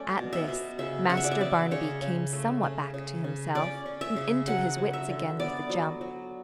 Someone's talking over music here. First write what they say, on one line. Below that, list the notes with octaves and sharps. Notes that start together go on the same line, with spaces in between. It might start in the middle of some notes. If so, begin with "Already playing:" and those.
At this Master Barnaby came somewhat back to himself and into his wits again with a jump.
Already playing: F#3 A3 C#4 A4 D5
B2
E5
B2
C#3 E5
C#3 F#5
E5
D5
E5
C#3 D5
C#3 C#5
C#3
A3
C#3
C#3
C#3
C#4 D5
C#4
E5
C#3
F#3 F#5
F#3
E5
D3
B3 D5
F#3
F#3